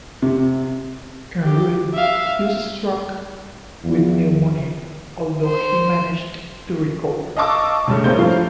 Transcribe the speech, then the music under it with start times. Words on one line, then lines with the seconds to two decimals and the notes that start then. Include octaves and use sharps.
En route he was struck with pneumonia, although he managed to recover.
0.22 C3
1.43 G4
1.94 E5 F5
3.84 E2 F3 F4
5.45 C5
7.37 D#5 F5 A5 C#6 D6 E6
7.87 C#2 G2 C#3 A3
8.04 A1 A#3 C5 C#5 G6
8.18 G2 F3 A3 F5